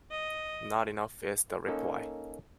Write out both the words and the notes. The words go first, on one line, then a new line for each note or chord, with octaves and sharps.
Not enough, is the reply.
D#5
A#3 C#4 D#4 A4